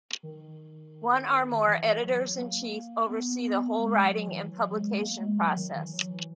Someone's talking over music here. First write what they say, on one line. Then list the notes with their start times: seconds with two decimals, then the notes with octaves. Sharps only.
One or more Editors-in-Chief oversee the whole writing and publication process.
0.23 D#3
1.66 E3
2.01 F#3
2.37 A#3
3.07 B3
3.79 G#3
4.03 F#3
4.27 E3
4.50 F#3
4.74 G#3
4.98 A#3
5.21 G#3
5.39 F#3
5.56 D#3
5.74 E3
5.93 F#3
6.10 E3